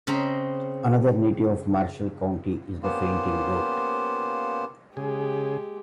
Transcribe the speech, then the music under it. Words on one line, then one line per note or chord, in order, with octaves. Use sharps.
Another native of Marshall County is the fainting goat.
C#3 C4 D#5 A#5 B5
A#3 B3 C#4 F4 G4 C5
C#3 G#3 G4 G#4